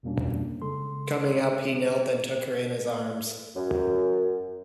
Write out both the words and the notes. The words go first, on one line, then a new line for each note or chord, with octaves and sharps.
Coming up he knelt and took her in his arms.
F2 B2 G3 A#3 C#4 D4
C#3 G#3 A4 C6
F#2